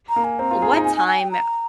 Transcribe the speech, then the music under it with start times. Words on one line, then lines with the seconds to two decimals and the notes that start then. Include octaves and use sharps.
what time
0.09 A#5
0.16 A#3
0.24 G#5
0.39 C4 A#5
0.51 F4
0.62 G#4
0.73 D#4
0.85 G#5
0.97 G#5
1.08 G#5
1.20 G5
1.31 A#5